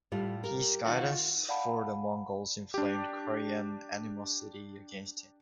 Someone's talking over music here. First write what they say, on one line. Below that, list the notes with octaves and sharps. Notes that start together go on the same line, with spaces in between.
His guidance for the Mongols inflamed Korean animosity against him.
A2 G3 F4
G4 A#4
D#3 F4 F#4
D5 F5 F#5 A5 B5
D4 G4